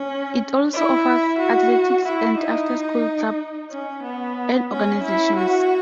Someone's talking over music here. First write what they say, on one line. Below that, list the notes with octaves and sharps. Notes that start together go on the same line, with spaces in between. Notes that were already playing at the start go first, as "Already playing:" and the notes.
It also offers athletics and after-school clubs and organizations.
Already playing: C#4
E4
F#4
E4
D#4
C#4
B3
C#4
E4
F#4